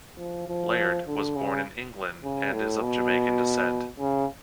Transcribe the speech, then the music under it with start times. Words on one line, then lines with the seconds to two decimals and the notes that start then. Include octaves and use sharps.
Laird was born in England and is of Jamaican descent.
0.18 F3
0.48 F3
1.07 D3
1.36 C#3
2.24 C#3
2.53 A2
2.82 B2
3.99 C#3